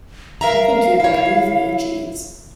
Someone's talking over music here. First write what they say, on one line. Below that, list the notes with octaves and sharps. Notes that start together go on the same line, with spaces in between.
I think you had better leave me, Jeeves.
A#4 E5 F5 A#5
E4 C#5